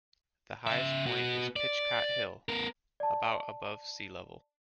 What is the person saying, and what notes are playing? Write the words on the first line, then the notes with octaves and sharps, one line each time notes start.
The highest point is Pitchcott Hill, about above sea level.
C#3 E5
B3 F#4
D5
B3 A#4
D5 A5